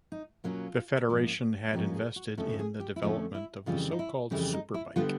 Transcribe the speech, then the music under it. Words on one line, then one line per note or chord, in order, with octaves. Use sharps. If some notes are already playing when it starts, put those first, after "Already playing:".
The federation had invested in the development of the so-called SuperBike.
D#4
B2 F#3 A#3 C#4 F4
G#2 F3 A#3 C#4
G#2 F3 A#3 C#4 G4
G#4
F#4
F2 D3 F3 A3 C#4 A4
A4
G#4
G4
E4
F2 D3 F3 A3 C#4 F4
E4
F2 C#3 E3 G3 F4
D#4
E4
F2 C#3 E3 G3 E4
D#4
E4
D3 G3 B3 D4 F4